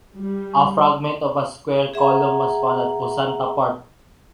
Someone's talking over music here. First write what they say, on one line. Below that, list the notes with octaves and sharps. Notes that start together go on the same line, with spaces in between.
A fragment of a square column was found at Fuensanta park.
G3
G#4 E5 F#5 A#5